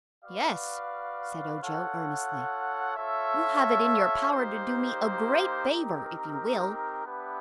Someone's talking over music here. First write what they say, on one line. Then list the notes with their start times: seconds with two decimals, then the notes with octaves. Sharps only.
"Yes," said Ojo earnestly, "you have it in your power to do me a great favor, if you will."
0.24 F#4 B4 D5 F5
1.60 F4 A4 C#5 F#5
2.96 F4 A4 C#5 E5
4.32 A#3 D#4 G4 C5
5.68 C4 D#4 G4 A#4
7.04 B3 D4 G4 B4 E5